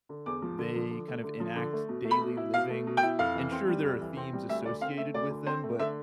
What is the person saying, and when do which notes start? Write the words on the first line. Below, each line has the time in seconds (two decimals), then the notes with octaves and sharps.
they kind of enact daily living and sure, there are themes associated with them, but
0.09 D3
0.26 E2 D6
0.42 F3
0.58 D3
0.75 F3
0.91 D3
1.08 A3
1.24 D3
1.40 F3
1.56 D3
1.73 A3
1.89 B2
2.05 A3
2.11 B5
2.21 B2
2.37 E4
2.54 B2 F5
2.70 A3
2.87 B2
2.97 G5
3.03 E4
3.19 F2 F5
3.35 E3
3.52 C4
3.68 G3
3.84 F2
4.01 E3
4.17 C4
4.33 G3
4.49 D2 E5
4.65 D3 D5
4.81 C4 F5
4.98 A3 E5
5.14 D2 D5
5.31 D3
5.46 C4 C5
5.63 A3
5.79 D3 E5